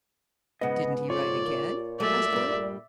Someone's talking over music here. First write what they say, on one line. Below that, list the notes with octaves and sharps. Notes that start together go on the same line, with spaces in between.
"Didn't he write again?" asked William.
G#2 C#3 B3 D#5 F#5
F2 F4 C#5 D5
A#2
F#3 G#3 A3 D5 E5
G2 G3